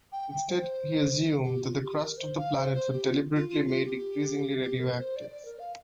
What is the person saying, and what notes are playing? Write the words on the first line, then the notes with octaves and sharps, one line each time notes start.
Instead, he assumed that the crust of the planet was deliberately made increasingly radioactive.
G5
G5
C5
G4
F4
G4
A#4
C5
F5
C5
C5
G4
F4
F4
F4
F4
G4
G4
A#4
C5
D5
D5
A#4
F5